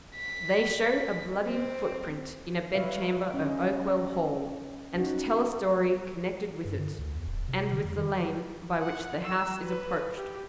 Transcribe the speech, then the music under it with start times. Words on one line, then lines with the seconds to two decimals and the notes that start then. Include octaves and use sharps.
They show a bloody footprint in a bed-chamber of Oakwell Hall, and tell a story connected with it, and with the lane by which the house is approached.
0.16 B6
1.42 C4
2.74 G3 B4 C#5 E5 F5
3.34 C#4 D#5
4.95 C#4 D#4 F#4
6.65 G2
6.79 D3
6.99 D2
7.15 E2
7.27 D1
7.48 C3
7.72 D3
7.85 F2
7.97 D#3
8.81 F#5
9.24 E6
9.63 B4
10.17 G4